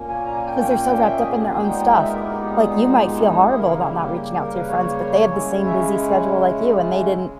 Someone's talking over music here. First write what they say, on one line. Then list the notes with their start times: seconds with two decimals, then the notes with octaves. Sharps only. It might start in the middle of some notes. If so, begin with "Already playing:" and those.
because they're so wrapped up in their own stuff, like, you might feel horrible about not reaching out to your friends, but they had the same busy schedule like you, and they didn't
Already playing: A#2 A#3 C#4
0.09 G#5
0.25 A#5
0.36 G#5
0.47 G5
0.60 G5
0.71 G5
1.05 E5
1.16 D#5
1.28 G#4
1.40 G4
1.50 G#4
1.62 A#2 G#3 B3 D#4 G5
1.78 G5
1.92 E5
2.09 A#4
2.15 G4
2.20 E4
2.31 G4
2.42 G4
2.54 G#4
2.89 G#4
3.01 G4
3.16 E4
3.36 G4
3.46 C#3 G3 A#3 E4 G#4
3.57 A#4
3.81 E4
3.93 G4
4.38 A#4
4.53 B4
4.68 C#5
5.30 C#3 G#3 C#4 E4
5.66 E5